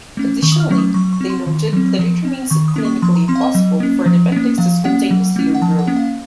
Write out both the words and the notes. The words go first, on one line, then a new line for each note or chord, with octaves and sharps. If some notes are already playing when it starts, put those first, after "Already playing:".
Additionally, they noted that it remains clinically impossible for an appendix to spontaneously regrow.
A3 C#4
D#3 C#6
D#6
F6
F#3 A3 C#4 C#6
D#6
F#3 C#6
C#6
C4
C6
D#3
F#3 C4
F3
C4
D#3 C#6
D#6
A#3 C#4
C#6
F3 C6
A#5
C4 C6
F5
D#5
F#3
A#3 C#4
F3
A#3 C#4
F3 F5
A#3 C#4 F#5
F#3
A3 C#4
F#5
F3 A5
F#5
A#3 C#4
F5